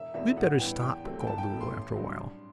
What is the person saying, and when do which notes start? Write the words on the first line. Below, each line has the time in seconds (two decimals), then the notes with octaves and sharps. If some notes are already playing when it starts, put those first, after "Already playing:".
"We had better stop," called Lulu, after a while.
Already playing: E1 E5
0.14 E2 B2 A3 C4 E5
0.37 A1 F#5
0.59 G2 E3 B3 G5
0.82 E2 G5
1.04 C3 F#3 A3 C4
1.20 G5
1.27 C2 A5
1.38 G5
1.49 B2 A3
1.61 C6
1.71 A1
1.93 G2 F#3 C4
2.16 G2